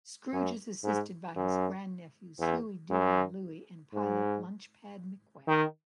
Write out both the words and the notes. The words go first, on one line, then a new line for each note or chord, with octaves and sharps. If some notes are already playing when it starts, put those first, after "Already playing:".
Scrooge is assisted by his grandnephews Huey, Dewey and Louie and pilot Launchpad McQuack.
F#2
G#2
F#2
E2
F#2
G#2
D#3